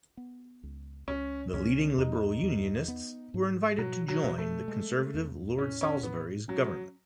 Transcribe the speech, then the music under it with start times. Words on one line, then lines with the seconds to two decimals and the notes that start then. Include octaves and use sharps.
The leading Liberal Unionists were invited to join the Conservative Lord Salisbury's government.
0.17 B3
0.63 C#2
1.07 C#2 C#4
1.53 C#2 C#4
1.98 E2 D#4
2.43 E2
2.88 B3
3.34 G#2
3.78 B2 F#3
4.08 F#3
4.24 B2
4.38 A3
4.68 G#3
5.14 E2
5.58 A2 C#4
5.81 C#4
6.03 A2 B3
6.48 F#3 C#4